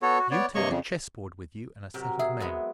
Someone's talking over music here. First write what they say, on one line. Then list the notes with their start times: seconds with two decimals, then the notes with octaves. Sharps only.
You take a chessboard with you and a set of men.
0.02 B3 F#4 A4 C#5
0.19 F#4
0.31 B3 C#5 D5
0.55 G2 C3 A#3 C#5 D#5 C#6
0.69 F2 C#3
1.94 C3 F#3 A#4
2.19 G#4 E5
2.40 G#3 B3